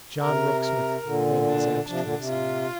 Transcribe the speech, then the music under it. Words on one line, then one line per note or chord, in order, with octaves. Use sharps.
John Rokesmith read his abstracts aloud.
C3 A#4
A#4
A#2 D3
D4
C3 F3 D4
A#2 D3
C3
F4